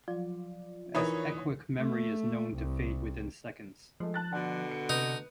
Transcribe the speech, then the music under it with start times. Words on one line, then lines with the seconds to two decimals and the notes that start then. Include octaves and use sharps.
As echoic memory is known to fade within seconds.
0.08 F3 F#3 F4 D5
0.95 E3 D#4 A#4 B4 C#5 E5 B5 D#6
1.79 A3
2.54 C2
4.00 F3 G#3 A3
4.14 A5 F#6 A6
4.33 B2 D3 F#5
4.71 C#7
4.89 C3 D#4 B4